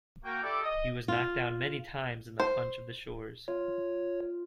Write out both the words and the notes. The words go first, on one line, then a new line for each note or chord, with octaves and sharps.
He was knocked down many times in the punch of the shores.
A#3 F#4 A#4 G5
E4 G4 A4 D5
D#5
F4
C5
F4 C#5